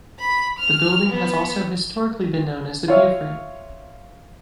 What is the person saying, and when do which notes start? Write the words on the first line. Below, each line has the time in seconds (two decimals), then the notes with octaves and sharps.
The building has also historically been known as The Beaufort.
0.19 B5
0.59 F6
1.09 B3
2.88 F4 C#5 E5 F5